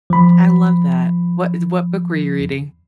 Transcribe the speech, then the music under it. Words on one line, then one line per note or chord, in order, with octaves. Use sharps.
I love that. What is what book were you reading?
F3 B5